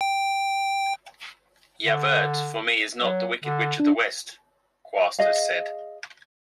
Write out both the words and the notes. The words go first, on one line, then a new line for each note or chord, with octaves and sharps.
"Javert for me is not the Wicked Witch of the West," Quast has said.
G5
D3
F#3
D3
D4
G#4 D#5 F5